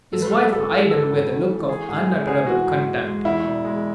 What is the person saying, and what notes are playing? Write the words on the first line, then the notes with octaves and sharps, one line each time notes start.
His wife eyed him with a look of unutterable contempt.
G#2 A4
B4
G#1 A4
B4
G#1 A4
E3
G#2 A4
G#1
G#1
E3
E3 G#4
G#2 G#4
G#2 G#4
G#3 G#4
E3 F#4
G#2
G#2
G#3
E2 E4
E1
G#3